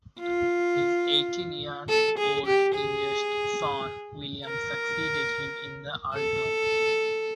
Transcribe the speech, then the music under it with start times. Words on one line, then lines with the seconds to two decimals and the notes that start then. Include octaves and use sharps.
His eighteen-year-old eldest son William succeeded him in the earldom.
0.20 F4
1.89 A4
2.18 G#4
2.46 G4
2.74 G#4
4.45 A#4
6.15 A4